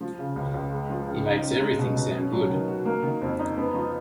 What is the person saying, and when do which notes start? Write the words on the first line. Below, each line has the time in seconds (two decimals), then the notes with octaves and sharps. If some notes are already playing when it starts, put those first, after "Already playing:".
He makes everything sound good.
0.01 F3
0.18 C#3
0.36 C#2
0.54 C#2
0.71 G#3
0.90 F3
1.07 C#3
1.25 D#4
1.42 C#4
1.60 G#3
1.78 B2
1.96 B2
2.14 C#4
2.32 F#3
2.50 D#3
2.68 F#4
2.85 A#3
3.03 D#3
3.22 F2
3.39 D#4
3.57 B3
3.74 F3